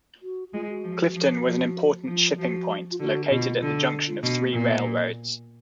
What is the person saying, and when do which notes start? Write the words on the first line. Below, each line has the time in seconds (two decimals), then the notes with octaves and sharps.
Clifton was an important shipping point located at the junction of three railroads.
0.22 F#4
0.53 G#3 F4
0.69 F#4
0.84 F3
1.15 F3
1.45 F3 F#4
2.07 F3 F4
2.38 F3 F#4
2.91 F4
3.00 D3 F#4
3.30 B2 F4
3.61 D3
4.07 F4
4.23 B2 D4
4.42 A#3
4.54 A#2 B3
4.85 A#3